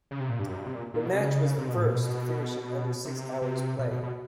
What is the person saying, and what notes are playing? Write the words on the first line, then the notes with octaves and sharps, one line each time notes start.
The match was the first to finish in under six hours' play.
C#3
C3
A#2
G2
F#2
G2
C3
A#2
A#2
B2
C3
C#3
C3
B2
A2
A#2
B2
C3
C3
B2
B2
B2